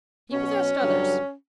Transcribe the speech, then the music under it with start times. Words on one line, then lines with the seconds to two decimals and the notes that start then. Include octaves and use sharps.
He possessed others.
0.32 B2 F#3 C#4
0.79 G2 D3 F#3